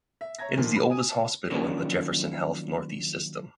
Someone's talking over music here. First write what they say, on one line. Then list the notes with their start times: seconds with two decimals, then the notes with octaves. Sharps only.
It is the oldest hospital in the Jefferson Health Northeast system.
0.21 E5
0.39 C#5 E5 A#5 G#6 A#6
0.57 A#1 A#2 D3 D#3 F3
0.76 B5
0.90 G#5 D#6 D#7
1.09 A5
1.50 D#3 F3 F#3 A#3 C#4 D4